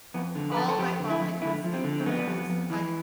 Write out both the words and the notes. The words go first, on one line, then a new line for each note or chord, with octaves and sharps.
All night long, I couldn't sleep because I c
F2 B3
D3
B4
F2 A4
A4
F2 G4
D3
E4
F2
D3 E4
F3
C4
D3
C4
F2 B3
F2
F2
E3